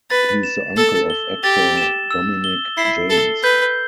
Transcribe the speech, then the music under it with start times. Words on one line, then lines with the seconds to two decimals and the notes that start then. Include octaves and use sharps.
He is the uncle of actor Dominic Janes.
0.10 B4 A6
0.43 E7
0.77 A4 E6
1.10 G7
1.43 G4 A6
1.77 E7
2.11 E6
2.44 G7
2.77 E4 C7
3.10 A4 G7
3.43 B4 G6